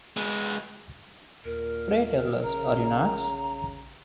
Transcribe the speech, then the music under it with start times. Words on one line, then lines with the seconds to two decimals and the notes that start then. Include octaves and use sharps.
Pray tell us, are you nuts?
0.17 G#3 B3
1.45 D#2 A#2 A#4
2.44 A#1 C#3 A#5